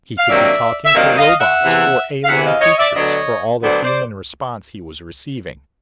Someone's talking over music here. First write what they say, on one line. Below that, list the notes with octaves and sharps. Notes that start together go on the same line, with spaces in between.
He could be talking to robots or alien creatures, for all the human response he was receiving.
F5
C3 D#3 F#3 A#3 D4 D5 E5
E5
C3 D#3 F#3 A#3 D4 D#5 F5
D#5 F5
E5 F#5
E2 C3 E3
F5
E2 C3 E3 E5 F#5
D#5 F5
C#5 D#5
D5 E5
D2 D3 F#3 B3 D4 C#5 D#5
D2 D3 F#3 B3 D4 C5 D5
C5 D5